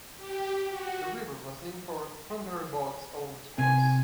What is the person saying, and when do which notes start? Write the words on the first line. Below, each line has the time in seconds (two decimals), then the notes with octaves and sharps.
The river was named for cranberry bogs along its course.
0.16 G4
0.69 F#4
3.58 C3 G#5